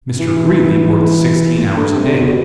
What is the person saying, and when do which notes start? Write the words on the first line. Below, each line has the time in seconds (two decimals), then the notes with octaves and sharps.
Mr. Greeley worked sixteen hours a day.
0.19 E3
1.77 D3
1.96 C3
2.16 B2